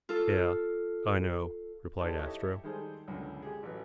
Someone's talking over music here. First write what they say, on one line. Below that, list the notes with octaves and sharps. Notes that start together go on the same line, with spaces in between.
"Yeah, I know," replied Astro.
F4 A4
D#4 G4 A4 B4 C5 D5
E4 G4 A4 C#5 D#5 E5
D#3 G3 G#3 G#4 A4 C5
C#2 F#2 B2 D3
G#3 G4 G#4
A1 F#3 B4